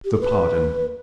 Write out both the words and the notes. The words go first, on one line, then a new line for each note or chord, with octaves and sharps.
The Pardon.
G4
A4
B4